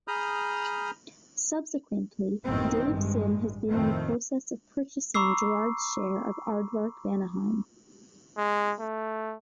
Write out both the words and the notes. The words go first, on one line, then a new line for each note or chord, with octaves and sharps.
Subsequently, Dave Sim has been in the process of purchasing Gerhard's share of Aardvark-Vanaheim.
G#4 A#5 B5 D#6 F6 G6
A1 F#2 D#3 B3 C4
A1 G2 G#3
F2 A2 D#3 A3 C4
A#5 B5 C#6 D6 E6 C7
G#3
A3